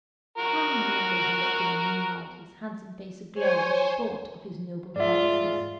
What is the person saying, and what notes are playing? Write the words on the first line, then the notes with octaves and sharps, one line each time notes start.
How manly he looked in the moonlight, his handsome face aglow with the thought of his noble purposes!
F#4 A#4
C5 C#5 G#5
G#2 F4 D5 E5